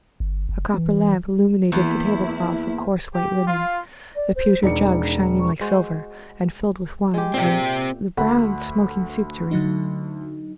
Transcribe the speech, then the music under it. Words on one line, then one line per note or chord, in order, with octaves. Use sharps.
A copper lamp illuminated the tablecloth of coarse white linen, the pewter jug shining like silver, and filled with wine, and the brown, smoking soup-tureen.
G1
F#1
E3
E2 A#3 E4
G4
F4
D5
C5
E1 D#4 D5 C#7
C#6
G#3 F#4 C5
G#3 G4
A#2 C4 G4 E5
D2 F#5 B5
D3 F#3 D#4